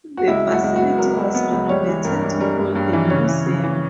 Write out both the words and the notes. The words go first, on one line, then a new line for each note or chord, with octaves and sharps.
The facility was renovated to hold the museum.
F#4
C#2 E4
F#3
F#4
C#2
F#4
B3
F#3 A#4
F#3
B3
C#2
G3 C#5
E3
G2 A#4
G2
G3 A#4
G2
G2
E3
C#3 C#5
E3
C#3
E3